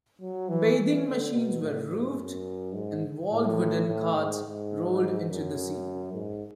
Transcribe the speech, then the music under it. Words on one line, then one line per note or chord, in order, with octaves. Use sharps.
Bathing machines were roofed and walled wooden carts rolled into the sea.
F#3
E3
E3
D3
B2
A2
G#2
F#2
G#2
A2
A2
G#2
G#2
F#2
G#2